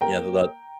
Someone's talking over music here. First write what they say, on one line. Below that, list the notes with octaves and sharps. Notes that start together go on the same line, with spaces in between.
Yeah, th that
A#3 G5 A#5